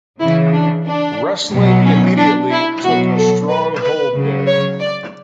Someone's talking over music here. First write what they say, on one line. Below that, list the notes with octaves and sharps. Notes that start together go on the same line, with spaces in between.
Wrestling immediately took a strong hold there.
C#3 E3 E4
D4
D4
B2 F#3
C#4
D4
E4
B2 F#3 F#4
A4
B4
B4
C#3 F#3
C#5
D5